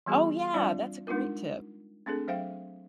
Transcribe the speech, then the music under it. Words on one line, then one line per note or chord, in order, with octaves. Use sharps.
Oh yeah, that's a great tip.
E3 G3 B3 F#4 G#4
G3 C4 D4 F4 D5 F5
G#3 D4 D#4 F4 A#4
A3 C4 D4 G#4 A4
F#3 C5 E5 F5 G5